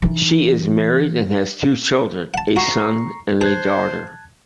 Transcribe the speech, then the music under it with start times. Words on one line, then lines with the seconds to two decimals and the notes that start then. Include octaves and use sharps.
She is married and has two children, a son and a daughter.
0.02 E3 D#4
2.34 F#5 A5
2.56 F#4 A#5 C#6 C7
3.41 G#4 C5 A5 F#6 G#6